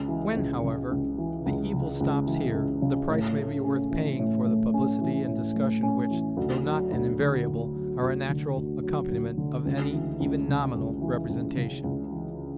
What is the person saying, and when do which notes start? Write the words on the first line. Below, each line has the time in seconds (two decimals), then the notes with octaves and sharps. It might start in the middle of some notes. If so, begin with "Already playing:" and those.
When, however, the evil stops here, the price may be worth paying for the publicity and discussion which, though not an invariable, are a natural accompaniment of any, even nominal, representation.
Already playing: C#2
0.08 E3
0.37 C#2
0.64 C#3
0.91 C#2
1.18 E3
1.46 C#2
1.73 C#3
2.00 C#2
2.27 E3
2.54 C#2
2.82 C#3
3.09 A2
3.37 A3
3.64 C#4
3.91 E3
4.19 A2
4.46 A3
4.74 C#4
5.01 E3
5.28 A2
5.55 A3
5.83 C#4
6.11 E3
6.37 D2
6.64 F#3
6.92 D2
7.19 D3
7.47 D2
7.74 F#3
8.02 D2
8.29 D3
8.56 D2
8.83 F#3
9.11 D2
9.38 D3
9.65 C#2
9.93 E3
10.20 C#2
10.48 C#3
10.75 C#2
11.02 E3
11.29 C#2
11.57 C#3
11.84 C#2
12.12 E3